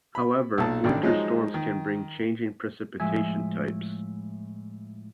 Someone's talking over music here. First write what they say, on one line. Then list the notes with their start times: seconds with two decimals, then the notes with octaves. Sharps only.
However, winter storms can bring changing precipitation types.
0.15 B5
0.58 B1 A#2 A5
0.84 A1 D#3 D4
1.03 F3 F#3 G#3 D#4
1.54 D#3
3.00 A2 F3 G#3 E5 G#5